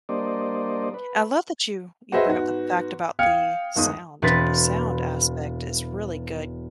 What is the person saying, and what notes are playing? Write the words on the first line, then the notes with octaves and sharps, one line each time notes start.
I love that you you bring up the fact about the sound. The sound aspect is really good,
G3 A#3 D4 C5 D5 D#5
B4
F#4 G#4 B4 C5 D#5 E5
G#2 B3 F#4
F5 G5 D#6 F6 G#6 C#7
G1 D#2 G#3 D#6
E1 C4 B4 A6 B6